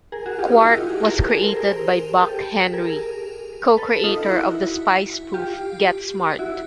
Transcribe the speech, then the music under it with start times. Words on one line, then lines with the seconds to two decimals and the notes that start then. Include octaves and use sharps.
"Quark" was created by Buck Henry, co-creator of the spy spoof "Get Smart".
0.12 G#4 A#4
0.26 F#4 G#4
0.39 F4 G4
0.51 D#4 F4
0.65 E4 F#4
0.77 F4 G4
0.90 F#4 G#4
1.03 G#4 A#4
1.17 G4 A4
1.30 G#4 A#4
1.42 A#4 C5
1.57 G#4 A#4
2.21 G4 A4
2.73 G#4 A#4
3.77 A4 B4
4.04 D#4 F4
4.30 E4 F#4
5.34 F4 G4
6.39 E4 F#4